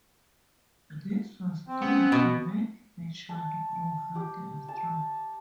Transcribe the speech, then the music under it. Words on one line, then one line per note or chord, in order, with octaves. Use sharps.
This was thought to make the child grow healthy and strong.
C4
B3 C#4
B2
A5
G4
A5